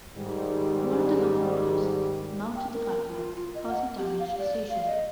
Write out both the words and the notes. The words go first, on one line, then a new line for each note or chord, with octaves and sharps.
One of the locomotives mounted the platform, causing damage to the station.
G#2 D#3 G3
G5
A#4
F4
F4
D#5
F#5
G4
F5
D5
F5
D#5